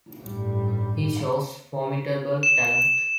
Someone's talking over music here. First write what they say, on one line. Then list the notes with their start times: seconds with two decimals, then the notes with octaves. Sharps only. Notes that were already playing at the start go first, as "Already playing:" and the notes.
He shows formidable talent.
0.21 A1 G2 G3
2.43 E7